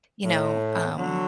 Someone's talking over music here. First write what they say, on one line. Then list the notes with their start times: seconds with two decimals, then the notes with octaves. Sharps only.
you know, um
0.25 A2
0.96 D3 F#3